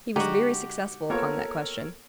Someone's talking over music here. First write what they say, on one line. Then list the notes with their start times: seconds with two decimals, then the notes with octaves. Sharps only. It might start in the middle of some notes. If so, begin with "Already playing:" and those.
He was very successful upon that question.
0.16 D3 G#3 D#4 F#4 G4 F#5
1.10 A#3 B3 F4 A4 A#4 C#5